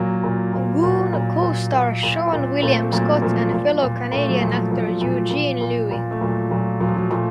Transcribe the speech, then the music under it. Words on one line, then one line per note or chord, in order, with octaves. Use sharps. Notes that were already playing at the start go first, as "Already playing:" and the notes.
"Goon" co-stars Seann William Scott and fellow Canadian actor, Eugene Levy.
Already playing: A#2 F#3 A#3
A#2
A#2
A#2
A#2
A#2
A#2
A#2
A#2
A#2 A3 C4
A#2 F#3 A#3
A#2 F3 A3
A#2
A#2
A#2 A3
F#3
A#2 F3
A#2
A#2
A#2
A#2
A#2
A3
A#2 F#3
A#2 F#3
A#2 F#3
F3
F#3
A#2 F3 A3